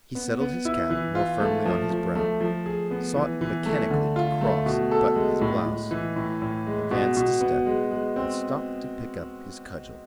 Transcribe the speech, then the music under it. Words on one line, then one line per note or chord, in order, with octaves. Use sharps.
He settled his cap more firmly on his brow, sought mechanically to cross and button his blouse, advanced a step and stopped to pick up his cudgel.
B3
B3
E4
E3
F4
A3
F3
F3
A3
F3
G#4
B3
E3
E3
A3
D3
F4
A3
B2
A4
G#3
A2
A2
E3
A2
A2
G#3
B2
B2
B3
G#3
G#3
C4